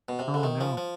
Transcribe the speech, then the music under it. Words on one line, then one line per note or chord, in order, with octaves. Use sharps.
Oh, no.
B2
C3
D3
D#3
F3
F3